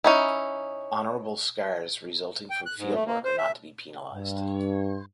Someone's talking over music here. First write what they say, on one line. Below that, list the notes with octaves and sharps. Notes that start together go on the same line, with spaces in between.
Honorable scars resulting from field work are not to be penalized.
C#4 D#4 E4
G5
F#6
G#2
A3
A#3
C5
E5
G2